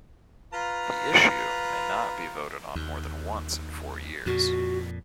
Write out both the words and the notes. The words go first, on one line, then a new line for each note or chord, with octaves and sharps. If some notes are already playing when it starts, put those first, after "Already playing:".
The issue may not be voted on more than once in four years.
F4 B4 A#5
D#2
F2 A#2 F#4